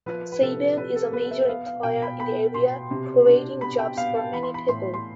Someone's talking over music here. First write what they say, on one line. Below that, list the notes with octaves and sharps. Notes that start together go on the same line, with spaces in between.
Sabian is a major employer in the area, creating jobs for many people.
F3 B4
B4
C3 A4
C3 B4
A4
B3 B4
E5
E5
B3 F5
F5
B2 G5
B5
B3 B5
B2 C6
C3
D4
B3 B5
G5
B3 F5
A5
E3 B5
C6
B5
A2 C6
C6